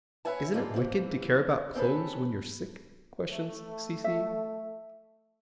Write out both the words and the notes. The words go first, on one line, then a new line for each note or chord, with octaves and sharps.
"Isn't it wicked to care about clothes when you're sick?" questioned Cecy.
B4 C#5 E5 F#5 G#5 A5
D#2 G#2 G#3 F4 A4 D5
D#2 G#2 C3 E3
C4 C#4 A4 B4
A3
E5